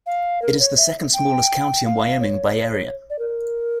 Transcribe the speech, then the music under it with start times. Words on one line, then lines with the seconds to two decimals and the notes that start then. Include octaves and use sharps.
It is the second-smallest county in Wyoming by area.
0.06 F5
0.42 A#4
0.59 C#5
0.77 E5
1.13 G5
1.85 F5
2.20 C#5
3.10 D5
3.19 A#4